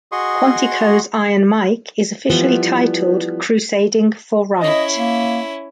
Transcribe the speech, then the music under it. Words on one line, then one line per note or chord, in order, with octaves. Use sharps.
Quantico's Iron Mike is officially titled Crusading for Right.
F#4 G#4 D#5 C6 C#6
E3 F3 G3 B3
C#4 E4 D#5
A#3